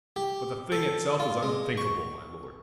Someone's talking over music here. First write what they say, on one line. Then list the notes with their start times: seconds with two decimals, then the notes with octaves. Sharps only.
But the thing itself is unthinkable, my lord.
0.16 G4
0.72 A4
1.20 F4
1.43 G#3
1.77 C#6